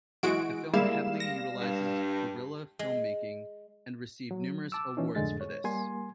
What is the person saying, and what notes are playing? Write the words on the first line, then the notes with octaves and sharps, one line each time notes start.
The film heavily utilizes guerrilla filmmaking and received numerous awards for this.
E3 G#3 F#4 D7
G3 G#3 A#3 E4 F5 E7
A#6
G2
G#3
F#3
A5 D6 E6
E3 C#4 D#4
F2 A2 D3 G#3 A6
C#5
G3 A#3 G#5 C6